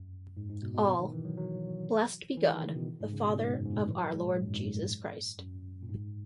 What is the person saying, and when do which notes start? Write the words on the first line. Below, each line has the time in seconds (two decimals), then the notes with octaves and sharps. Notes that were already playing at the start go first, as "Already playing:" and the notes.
All: Blessed be God, the Father of our Lord Jesus Christ.
Already playing: F#2
0.37 G#2
0.49 G#2
0.62 B2
0.74 B2
0.87 B2
0.99 D#3
1.12 E3
1.25 F#3
1.37 F#3
2.37 E3
2.50 D#3
2.62 C#3
2.75 B2
3.01 G#2
3.13 C#3
3.26 B2
3.38 G#2
3.55 F#2
3.65 G#2
3.71 A#2
3.88 E3
4.01 F#3
4.13 G#3
4.26 A#2
4.38 G#2
4.46 F#2
4.54 G#2
5.39 F#2
5.83 A#2
5.89 G#2